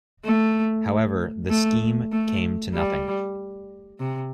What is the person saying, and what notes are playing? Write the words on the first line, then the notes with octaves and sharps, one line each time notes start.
However, the scheme came to nothing.
A3
A3
A3
G3
C3